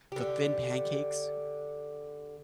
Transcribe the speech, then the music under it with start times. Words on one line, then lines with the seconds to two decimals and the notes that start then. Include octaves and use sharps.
the thin pancakes?
0.12 D3 G4